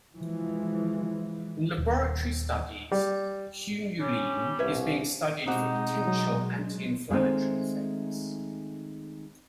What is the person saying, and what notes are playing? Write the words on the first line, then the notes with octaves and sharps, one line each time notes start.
In laboratory studies, humulene is being studied for potential anti-inflammatory effects.
E3 F3 G#3
D#1
G3
G3 C#4
C2 B4 C#5 E5
B2 G#3 C4 D#4 F#4 G4
F#3
D#3 G#3 A3 C4